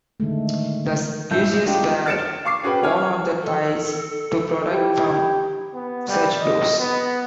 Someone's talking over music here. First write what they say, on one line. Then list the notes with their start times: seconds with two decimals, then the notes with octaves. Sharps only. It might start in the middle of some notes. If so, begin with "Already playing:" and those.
Thus, cuisses were worn on the thighs to protect from such blows.
0.20 D3 D#3 G#3 A3
1.31 A#1 G2 E4 G6
1.66 G#3 D4 D#4 F4 G4
2.06 F6 A6 C#7 D7 E7
2.45 F5 C#6 D6 C7
2.64 C#4 F#4 G#4 B4 G5
2.83 A4 C#5 G#5 F6
3.42 A4
4.71 E4 G4
5.74 B3
6.08 G3
6.39 D#5
6.80 B3